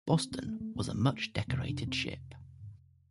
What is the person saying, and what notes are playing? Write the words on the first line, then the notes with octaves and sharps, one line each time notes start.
"Boston" was a much-decorated ship.
C4
C4
A3
A3
B3
A3
A3
F1 F2 C3 B3
D4
C4